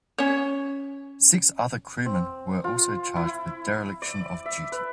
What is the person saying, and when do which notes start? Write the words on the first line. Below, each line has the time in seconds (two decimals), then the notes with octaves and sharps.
Six other crewmen were also charged with dereliction of duty.
0.18 C#4 C#5
2.06 C4
2.64 F4
3.16 E4
4.02 D5
4.46 E5
4.72 B4